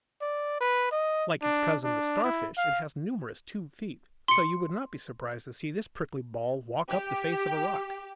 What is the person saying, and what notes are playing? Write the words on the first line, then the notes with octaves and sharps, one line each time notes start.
Like its cousin the Starfish, it has numerous tube-feet, so you would not be surprised to see this prickly ball walk up the face of a rock.
D5
B4
D#5
D4
D4
E4
F5
C6 C#7
G4